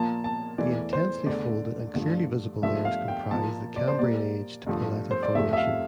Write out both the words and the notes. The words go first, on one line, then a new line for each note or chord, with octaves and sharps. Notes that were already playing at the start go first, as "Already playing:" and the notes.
The intensely folded and clearly visible layers comprise the Cambrian-aged Poleta formation.
Already playing: A#2 F3 A#3 A5
A5
E2 E3 A3 D5
C5
E2 D3 A3 D5
G2 D3 F3 A3
G2 F3 A3 E5
F5
G5
A#2 F3 A#3 A5
D5
C5
A#2 G3 A#3 D5
G2 F3 A3
C5
D5
F2 C3 F3 A3 E5
E5
F5